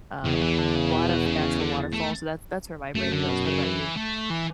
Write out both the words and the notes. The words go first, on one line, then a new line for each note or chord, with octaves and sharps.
um, lot of natural waterfalls, so that's that's where my brain goes. What about you?
E2 C#3
E3
D3
C#3
B2
C#3
D3
A3
F#2 A3
D3
B2
C#3
E3
A3
E3